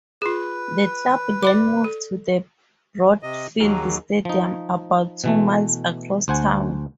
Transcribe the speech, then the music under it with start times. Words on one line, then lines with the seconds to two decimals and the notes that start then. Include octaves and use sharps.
The club then moved to the Broadfield Stadium, about two miles across town.
0.22 F4 G#4 B4
1.43 D5 B5 D6
1.84 A4
3.23 C3 D#5
3.60 D#2 F#3 D#4 G#4 A#4
4.25 F3 D#4
5.24 B2 E3 A3
6.28 D2 C5 F#5 G#5